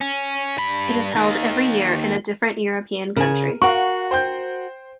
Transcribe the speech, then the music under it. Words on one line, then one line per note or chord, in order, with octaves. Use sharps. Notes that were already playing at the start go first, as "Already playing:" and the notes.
It is held every year in a different European country.
C#4
G2 B5
D#2 D#3
C#3 A#4 G#5
F#4 A#4 F5 F#5 C#6
C5 G5 G6